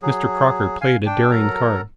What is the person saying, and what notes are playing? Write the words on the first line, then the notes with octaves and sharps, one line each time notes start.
Mr. Crocker played a daring card.
F#3 G#4
F5 G#5
D4 G5
F#3 A4 A#4 A#5